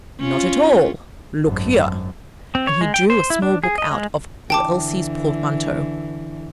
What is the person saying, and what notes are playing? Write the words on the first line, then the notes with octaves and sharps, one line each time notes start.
'Not at all; look here.' And he drew a small book out of Elsie's portmanteau.
C#4 F4
G#1 F#2
C4
C#5
G#3
G5
C5
E4
D4
G#4
D#5
G#3
D3 E3 G5 A5 D6